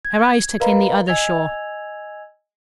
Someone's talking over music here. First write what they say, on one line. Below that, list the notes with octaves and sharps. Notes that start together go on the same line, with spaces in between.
Her eyes took in the other shore.
G#6
A#4 B4 D#5 F5 A#5 B5
D#5 G#5 E6 G#6 F7